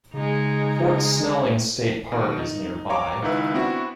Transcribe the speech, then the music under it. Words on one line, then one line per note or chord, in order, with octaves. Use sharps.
Fort Snelling State Park is nearby.
C#3 G#3 D#4
B2 D#3
D#4
C#5 F5 A#5 D6
C#2 D#3 D#4 E4 B4 E6
B3 C4 D4 E4 F#4